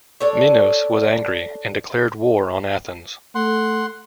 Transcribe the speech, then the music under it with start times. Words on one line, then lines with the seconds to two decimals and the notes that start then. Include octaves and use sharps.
Minos was angry and declared war on Athens.
0.20 D4 A4 C#5
3.35 A3 F#5 C6